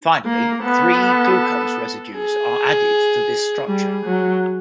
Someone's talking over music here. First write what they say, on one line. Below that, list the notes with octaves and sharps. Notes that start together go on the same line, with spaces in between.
Finally, three glucose residues are added to this structure.
A#3 A#4
B3 A4
G#4
G3 G#4
F#3